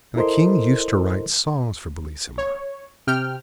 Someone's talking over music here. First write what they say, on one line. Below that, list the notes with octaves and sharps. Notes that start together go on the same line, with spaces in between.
And the King used to write songs for Bellissima.
E4 A4 A#4 C5 D#5 C6
C#5
C3 G5 F6